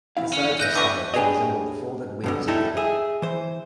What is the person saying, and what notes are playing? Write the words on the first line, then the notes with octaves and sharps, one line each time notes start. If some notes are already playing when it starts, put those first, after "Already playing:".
The sides were styled to resemble the folded wings of the duck.
E2 E4 F5
C#4
E3 D#5 F#6 G6 A#6
D3 E3 C#6 D6 G6
D4 G4 G#4 B4 C#5 D#5
G2 B2 D3
G3 D#4 E4 A4
G#4 E5
E3 C5